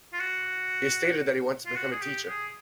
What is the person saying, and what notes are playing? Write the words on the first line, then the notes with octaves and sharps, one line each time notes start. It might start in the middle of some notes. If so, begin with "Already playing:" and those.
He has stated that he wants to become a teacher.
F4
F#4
F4
F#4
G#4
G4
G#4